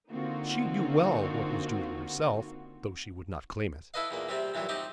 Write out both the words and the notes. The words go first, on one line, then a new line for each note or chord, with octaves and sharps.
She knew well what was due to herself, though she would not claim it.
D3 A#3 C4 D#4 F4 F#4
E4 A4 B4 D#5 F5
E2 A#2 A#3
C3 G3 C4
G2 A#2 E3 F#3 G3
C4 D#4 G4